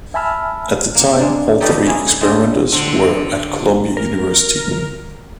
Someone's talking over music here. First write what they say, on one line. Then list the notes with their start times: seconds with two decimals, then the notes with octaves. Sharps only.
At the time, all three experimenters were at Columbia University.
0.14 E5 G#5 A5 B5 E6 F6
0.95 A#3 F#5
1.18 G#3 A#3 D4
1.60 D#4 G4 A4 B4 D5 D#5
1.85 G#3 A#3 C#4 E4 G#4
2.21 G#3 A#3 C4 D4 D#4 F4
2.72 D3 C4
3.97 A#4